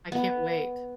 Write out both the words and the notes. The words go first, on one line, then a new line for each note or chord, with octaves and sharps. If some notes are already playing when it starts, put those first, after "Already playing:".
I can't wait,
B3